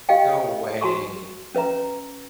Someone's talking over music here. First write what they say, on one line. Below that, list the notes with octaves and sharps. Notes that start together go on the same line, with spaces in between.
No way.
G4 D#5 F5 G5
F#4 A5 C6 C#6
C#4 B4 E5 A#5